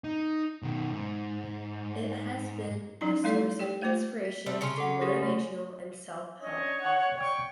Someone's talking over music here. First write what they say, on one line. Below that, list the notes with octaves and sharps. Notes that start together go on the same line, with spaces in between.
It has been a source of inspiration to motivational and self-help authors.
D#4
B2 D#3
G#2
F3 F#3 C#4 D#4 E4 A#5
G3 A3 E4 A4 D5 F5
G4 D5 G5
A3 A#3 F4 C5
B6
G3 A3 C4
C#3 C#4 C6 C#7
A4 F#5
G4 G#4 A#4
A3
C#4 D4 C#5 D#5
F#5
D5 G5 C#6